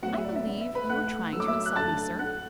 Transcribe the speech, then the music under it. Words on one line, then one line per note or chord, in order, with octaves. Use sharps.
"I believe you are trying to insult me, sir."
A2 F#3 B3 F#4 F#5
E5
D5
E5
B2 B3
E5
B4 B5
A2 A3 F#5 F#6
A2 F#3 A3 E6
D6
E5 E6
F#6
F#2 D3 A3 A5 A6
A2 A3 F#5 F#6